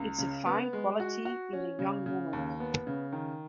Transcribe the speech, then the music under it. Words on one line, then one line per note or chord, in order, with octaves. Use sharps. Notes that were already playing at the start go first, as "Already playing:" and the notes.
It is a fine quality in a young woman.
Already playing: C#2
C#3
B3
G#3
F#4
F#4
C#4
C#3
C#3
D#2
B3
C#3
D#3